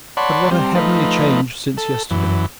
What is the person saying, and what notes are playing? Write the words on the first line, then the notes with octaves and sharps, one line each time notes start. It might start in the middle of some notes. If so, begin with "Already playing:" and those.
But what a heavenly change since yesterday!
C#5 D5 F#5 A5 B5 C6
G3 C4
F3 A3 D#4 B4
A4
F#2 E3